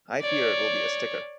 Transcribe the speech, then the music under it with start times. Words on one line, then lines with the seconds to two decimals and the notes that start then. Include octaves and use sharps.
I fear it will be a sticker.
0.22 C#5 D5